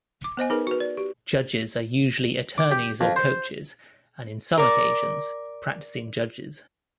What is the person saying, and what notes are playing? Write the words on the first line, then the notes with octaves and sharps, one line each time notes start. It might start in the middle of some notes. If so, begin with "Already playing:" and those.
Judges are usually attorneys or coaches, and in some occasions, practicing judges.
D6
B3 C5 D#5 G#5
D#4 G#4 A#4 B4
F#4 B4
D5
G4
D6
G4
F2
C5
A#4 D5